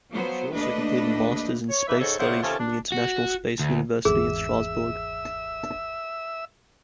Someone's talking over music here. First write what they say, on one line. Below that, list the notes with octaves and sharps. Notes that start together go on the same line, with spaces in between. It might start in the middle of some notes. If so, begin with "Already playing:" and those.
She also completed Masters in Space studies from the International Space University in Strasbourg.
F3 F#3 B3 C5
D#2 A3 D4 B4 D#5
C#5
E3 A#3 D#4 B4 E5
G#2 C#3 G#3 A4 C5 C#5
C#3 A3 E4 C5 D5 F#5
C3 D#3 C#4 F4 A4
D4
F#4
D2
G#1 E2 G#4 E5 E6